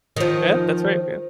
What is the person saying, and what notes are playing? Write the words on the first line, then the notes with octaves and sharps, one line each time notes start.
Yeah, that's right, yeah.
D#3 F3